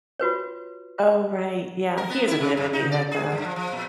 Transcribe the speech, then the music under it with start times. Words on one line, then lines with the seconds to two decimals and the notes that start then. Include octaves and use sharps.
Oh, right yeah, he is a bit of a meathead, though.
0.19 F4 F#4 B4 C#5
1.97 A#4
2.10 B3
2.27 E4
2.40 C#3
2.57 F#2
2.73 D#4
2.92 D5
3.11 G#4
3.32 G2
3.45 F3
3.56 F3
3.72 A#2